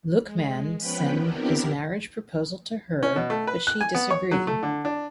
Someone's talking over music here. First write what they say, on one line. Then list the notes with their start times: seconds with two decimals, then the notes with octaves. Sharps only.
Luqman send his marriage proposal to her but she disagreed.
0.24 G#3
0.78 F3 B3 C#4 B4 G5 B5
1.19 B3 C4 D4 E4 G4 A#4
3.03 C#4
3.16 B2
3.30 A3
3.47 B4
3.67 F#6
3.81 G#5
3.95 B3
4.11 C#5
4.31 F#3
4.47 A3
4.63 D3
4.85 D4